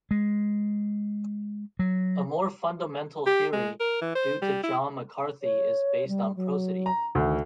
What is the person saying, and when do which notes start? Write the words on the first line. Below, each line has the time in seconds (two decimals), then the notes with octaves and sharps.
A more fundamental theory due to John McCarthy is based on prosody.
0.11 G#3
1.79 F#3
3.27 G4
3.53 G#3
3.80 A#4
4.02 E3
4.15 C5
4.42 G3
4.64 E4
5.42 C#5
6.08 G3
6.36 F#3
6.86 A#5
7.15 D2 D#3